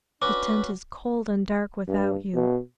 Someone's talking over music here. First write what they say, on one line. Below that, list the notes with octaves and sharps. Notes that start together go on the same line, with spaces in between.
The tent is cold and dark without you....
C#4 D4 F#4 B4 D6
G2
B2